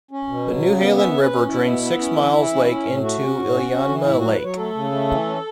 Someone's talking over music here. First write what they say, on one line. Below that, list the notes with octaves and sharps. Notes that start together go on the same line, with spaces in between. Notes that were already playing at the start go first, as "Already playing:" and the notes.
The Newhalen River drains Six Mile Lake into Iliamna Lake.
C#4
B2
F#3
C#3
B3
C#4 E5
C#4
B4
C#4
B2 E4
B3
B3
C#4
E3
E3
C#4
C#4
A2
A3 F#4
C#4
A2
C#4
C#4
E3
A2 E4
F#3 F#4
B4
F#3 C#5
A3 A4
C#3
A3
E3
C#4